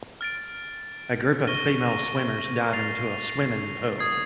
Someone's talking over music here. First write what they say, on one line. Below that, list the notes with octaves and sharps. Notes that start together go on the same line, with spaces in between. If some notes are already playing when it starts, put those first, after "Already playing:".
A group of female swimmers dive into a swimming pool.
F6 A6 D7
C#6 F6 A#6 D#7 G7
A6 C7 F7
D#6 G#6 C7